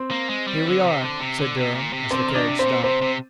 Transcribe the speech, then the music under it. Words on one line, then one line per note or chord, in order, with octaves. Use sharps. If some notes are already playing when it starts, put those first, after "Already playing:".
"Here we are," said Durham, as the carriage stopped.
Already playing: C4 C5
A#3
G#3
G3
D3
C3
D3
C3
D3
C3
A#2
C3
D3 C4 C5
D#3
D4 D5
C3
C4 C5
A#2
C3 C4 C5
C3